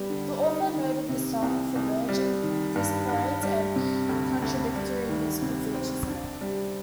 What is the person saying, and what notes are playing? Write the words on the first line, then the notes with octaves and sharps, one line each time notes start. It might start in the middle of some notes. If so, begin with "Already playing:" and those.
The author noted the song for merging disparate and contradictory musical features in it.
Already playing: G3 B3
D3
D#4
D#3
C3
C2
C2
G3
D#3
G2
G2
G3
C3
D2
D2
G3
D#3
C3
C4
D4
G3